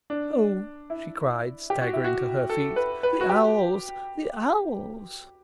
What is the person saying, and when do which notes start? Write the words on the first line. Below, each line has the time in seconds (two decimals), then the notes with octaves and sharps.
"Oh," she cried, staggering to her feet, "the owls, the owls!"
0.10 D4
0.90 E4
1.70 G4
1.81 F#4
1.93 E4
2.04 F#4
2.50 A4
2.76 B4
3.03 B4
3.21 F#4
3.29 G4